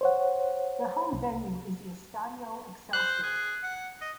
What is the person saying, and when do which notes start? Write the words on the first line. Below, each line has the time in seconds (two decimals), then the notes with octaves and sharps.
Their home venue is the Estadio Excelsior.
0.01 C5 C#5 F#5
1.13 C2
2.93 C5 F#6
3.23 G#4
3.63 F#5
4.01 D#5